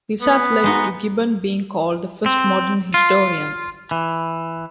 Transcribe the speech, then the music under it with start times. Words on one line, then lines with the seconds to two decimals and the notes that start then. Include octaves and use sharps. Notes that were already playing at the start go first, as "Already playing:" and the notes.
This has led to Gibbon being called the first "modern historian".
0.21 B3
0.64 G#3 D#4 F#4
2.26 C4
2.94 F4
3.91 E3